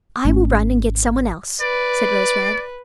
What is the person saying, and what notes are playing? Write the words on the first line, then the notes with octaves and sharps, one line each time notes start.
"I will run and get someone else," said Rose-Red.
G#1 A3 C#4
B4 D5